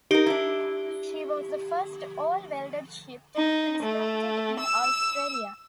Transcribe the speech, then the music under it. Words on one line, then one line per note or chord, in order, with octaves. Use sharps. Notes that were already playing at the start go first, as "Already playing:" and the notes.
She was the first all-welded ship to be constructed in Australia.
D#4 G4 A#4
D4 E4
D#4
A3
E6